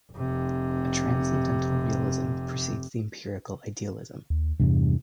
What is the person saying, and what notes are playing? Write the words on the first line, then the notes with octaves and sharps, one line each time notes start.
A transcendental realism precedes the empirical idealism.
F1 C3
D#2
E2 G2 C3